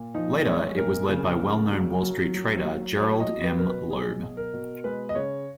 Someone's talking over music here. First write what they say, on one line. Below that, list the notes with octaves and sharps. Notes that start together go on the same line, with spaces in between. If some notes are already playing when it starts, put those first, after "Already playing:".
Later, it was led by well known Wall Street trader Gerald M. Loeb.
Already playing: A#2
F3 D#4
G#3 C#5
A#2 A#4
C#3
C#3
F#3
F#3
F#3
F#3
F#3 C#5
D#5
F#3
B4
B2 A#4
B4
F#3 G#4
B2
A#4
B2
G#3 B4
D#5
C#3 C#5